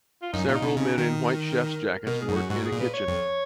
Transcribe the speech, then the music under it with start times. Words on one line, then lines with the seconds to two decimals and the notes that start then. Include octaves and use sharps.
Several men in white chef 's jackets work in a kitchen.
0.22 F4
0.33 F#2 D#4
0.47 A#2 F4
0.55 D#4
0.62 B2
0.77 C#3 D#4
0.98 D#3 D#4
1.20 A#4
2.07 B2 A#4
2.21 G#4
2.29 F#2
2.36 F#4
2.50 G#2 F#4
2.65 G#4
2.72 A#2
2.80 B4
2.94 C#5
3.08 F2